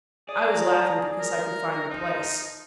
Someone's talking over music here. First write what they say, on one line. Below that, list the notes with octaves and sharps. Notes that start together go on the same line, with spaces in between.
"I was laughing because I could find the place."
G#4 D5 D#6
A#5
A#4
F3 D#4